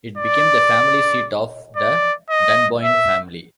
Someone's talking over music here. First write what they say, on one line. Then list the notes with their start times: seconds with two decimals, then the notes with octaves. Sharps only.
It became the family seat of the Dunboyne family.
0.18 D5
1.76 D5
2.30 D#5
2.83 E5